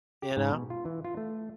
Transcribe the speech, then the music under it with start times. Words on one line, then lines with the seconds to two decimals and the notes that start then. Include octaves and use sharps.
You know?
0.22 G4
0.37 G#2
0.51 B2
0.70 F4
0.85 E3
1.05 F4
1.17 A3